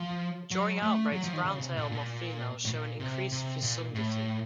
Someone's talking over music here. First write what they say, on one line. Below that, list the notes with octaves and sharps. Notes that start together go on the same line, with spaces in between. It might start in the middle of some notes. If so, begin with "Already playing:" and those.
During outbreaks browntail moth females show an increased fecundity.
Already playing: F3
F#3
A3
F#3
F3
D#3
C#3
C3
A#2
A#2
A2
A#2
C3
C3
A#2
A2